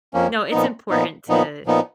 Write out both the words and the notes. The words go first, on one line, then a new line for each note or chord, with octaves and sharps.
No, it's important to
F2 F3 A#3 C#4
A#2 F3 B3 D#4
A#2 F3 B3 D#4
A#2 F3 B3 D#4
A#2 F3 B3 D#4